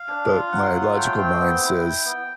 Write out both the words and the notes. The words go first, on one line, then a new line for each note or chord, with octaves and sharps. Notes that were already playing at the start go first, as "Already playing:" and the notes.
But my logical mind says,
Already playing: F5
D4
F4
F#3 F#5
F4 F#5
A3 G5
C4 G5
B3
E4
E4
B3